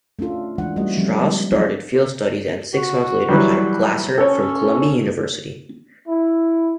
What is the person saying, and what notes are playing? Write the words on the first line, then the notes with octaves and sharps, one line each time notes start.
Strauss started field studies and six months later hired Glaser from Columbia University.
A3 C#4 D4 F4 A4
E3 G#3 D4 F#5
G3 A3 A#3 C#4 F#4 D#5
E3 F3 G3 C#4
G3 G#3 B3
F#3 C4 D#4 F4 C#5 D5
F#4
E3 F#3 G3
C#4 A4 C#5
E4